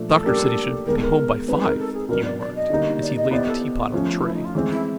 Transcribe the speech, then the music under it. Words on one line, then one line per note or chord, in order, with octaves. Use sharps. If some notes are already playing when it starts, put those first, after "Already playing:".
"The Doctor said he should be home by five," he remarked, as he laid the tea-pot on the tray.
Already playing: A#2 F3 A3 D4
A4
G3 A#3 D4 G4 A#4
D#3 G#3 B3 A#4
A4
A#4
G#3 C4 D#4 B4
A#4
A4
G#4
B2 F#3 B3 D4 A#4
D5
D5
D#5
D3 G3 A#3 D#4
D5
D#5
B3 E4 G4 C5 D5 D#5
A4
F3 A3 C#4
D#4
E4
D#4
F4
E3 G#3 C4
E4